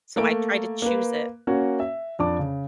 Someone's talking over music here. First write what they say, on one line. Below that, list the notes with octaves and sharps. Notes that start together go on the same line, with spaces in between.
so, I try to choose it.
A3 A#3 A#4 D7
A#3 B4
A#3 C#4 F#4 C#5
E5
F2 D4 A5 D6
C#3